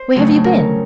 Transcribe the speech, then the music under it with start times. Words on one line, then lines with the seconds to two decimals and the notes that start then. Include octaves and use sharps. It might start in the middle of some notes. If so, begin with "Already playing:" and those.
Where have you been?'
Already playing: C5
0.16 F2 C#3 F#3 A3
0.45 A#4